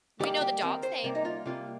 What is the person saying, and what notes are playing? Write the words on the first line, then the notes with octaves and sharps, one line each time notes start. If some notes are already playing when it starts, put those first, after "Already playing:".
We know the dog's name,
D#3 G3 A#3 G4
G4
D#3 C4 A#4
C5
C3 G3 A#3 A#4
D#4
F4
C3 G3 A#3 F4